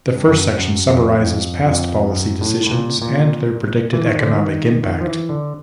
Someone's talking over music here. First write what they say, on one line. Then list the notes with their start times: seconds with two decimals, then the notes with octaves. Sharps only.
The first section summarizes past policy decisions and their predicted economic impact.
0.16 G2
0.28 F#2
0.58 F#2
0.88 F2
1.20 F2
1.65 F2
2.10 F#2
2.41 A2
2.66 A2
2.71 A#2
3.02 A#2
3.93 E3
4.06 D#3
4.20 D3
4.34 D#3
4.83 D#3
5.01 F3
5.07 E3
5.29 D3